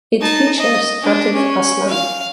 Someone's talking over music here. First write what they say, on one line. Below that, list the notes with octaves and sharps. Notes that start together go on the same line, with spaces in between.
It features Atif Aslam.
D#4 A5
D#5
D4
C#4
F5